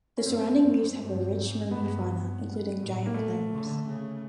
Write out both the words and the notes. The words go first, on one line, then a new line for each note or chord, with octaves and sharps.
The surrounding reefs have a rich marine fauna, including giant clams.
C#4
F#2 C4
F#2
G2
G#2
G2 B3
A2
A#3
A#2 A3
D3
C#3